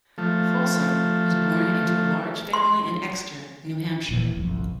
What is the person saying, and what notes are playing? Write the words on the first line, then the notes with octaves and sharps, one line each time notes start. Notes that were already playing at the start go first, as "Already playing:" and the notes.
Folsom was born into a large family in Exeter, New Hampshire.
F3 A3
C6
D#1 A#2 E3
G1 C2 F2